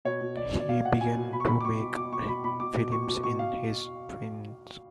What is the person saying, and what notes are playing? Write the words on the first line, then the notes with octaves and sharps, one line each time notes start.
He began to make films in his teens.
B2 C#5
B2
B2 D5
B2
D5
B2 F5
B2 F#5
B2 G#5
B2
B2 B5
C#6
B2 B5
D6
B2 C#6
B2
B2 D6
B2 C#6
B2 B5
B2 B5
B2 D6
B2
B2 C#6
B2
B2 C#6
B2 F5